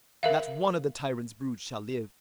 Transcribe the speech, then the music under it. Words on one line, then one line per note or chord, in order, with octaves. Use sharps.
Not one of the tyrant's brood shall live.
A#4 E5 F5